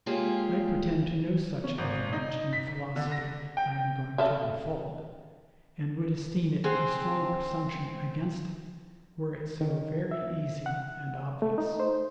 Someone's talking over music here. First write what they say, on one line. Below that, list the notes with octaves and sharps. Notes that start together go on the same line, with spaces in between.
I pretend to no such advantage in the philosophy I am going to unfold, and would esteem it a strong presumption against it, were it so very easy and obvious.
G#3 A#3 C#4 F4 G4 G#4
C#4
G#1
D#4
B6
D3
A#6
G5
C#3 A4 E5
C4 G4 G#4 F#5
D#3
E5
F#5
A3
D#4
C5